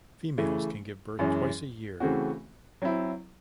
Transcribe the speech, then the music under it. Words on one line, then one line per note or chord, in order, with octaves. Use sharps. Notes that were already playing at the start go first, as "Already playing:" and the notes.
Females can give birth twice a year.
C#3 E3 A3
F#2 E3 G#3 C#4 G#4
C#3 E3 A3 C4 F#4
F#3 C4 E4